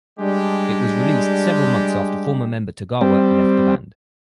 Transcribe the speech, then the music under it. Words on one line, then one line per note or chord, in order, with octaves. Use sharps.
It was released several months after former member Tagawa left the band.
G3 G#3 D4 G4
G3 C4